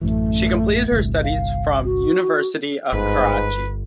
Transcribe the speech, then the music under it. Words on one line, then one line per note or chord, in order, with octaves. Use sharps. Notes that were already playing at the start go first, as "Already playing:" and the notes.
She completed her studies from University of Karachi.
A1 F#2 E3 A3
G1 C2
F5
F#4
G1 G#2 B4